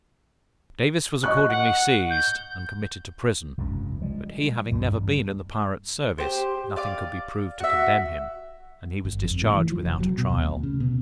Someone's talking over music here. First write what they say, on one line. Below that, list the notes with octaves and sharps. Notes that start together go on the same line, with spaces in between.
Davis was accordingly seized, and committed to prison, but he having never been in the pirate service, nothing could be proved to condemn him, and he was discharged without a trial.
D#5 C#6 F#6
F#5
G6
F1 C#2 G2
F3 G3 G#3
A1 D2 G2 G3
G4 C5
D5 F5 D6
F#4 E5
G1
F2
A2
E3
F3
F1
F#3
B2
D#2
D2
C#3
B2